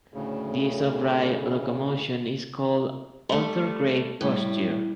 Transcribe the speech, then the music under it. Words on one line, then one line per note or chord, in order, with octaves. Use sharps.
This upright locomotion is called "orthograde posture".
D2 A2 C#3
G3 A3
A2 G3